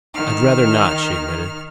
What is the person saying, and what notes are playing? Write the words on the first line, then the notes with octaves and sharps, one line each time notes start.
"I'd rather not," she admitted.
D#3 F6